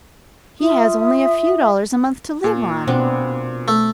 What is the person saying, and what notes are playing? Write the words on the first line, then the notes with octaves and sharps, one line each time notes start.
He has only a few dollars a month to live on.
F4 E5 D#6
A#2
B2 B3 C4 D4
A3